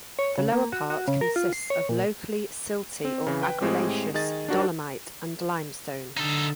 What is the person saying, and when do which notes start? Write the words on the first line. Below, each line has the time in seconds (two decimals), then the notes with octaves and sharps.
The lower part consists of locally silty or argillaceous dolomite and limestone.
0.19 C#5
0.38 C#3
0.52 A#3
0.72 F#4
0.90 F#4
1.08 C#3
1.21 A#4
1.36 F4
1.53 C7
1.70 C#5
1.89 A#2
3.05 C4
3.27 C#3 E3
3.42 B4 G5
3.61 A2 G#3 C4 G4
4.14 D#3 G#4 D#5 A6
4.48 D4 D#4 F#4 G4 A#4 C5
6.17 D3 D#4 A4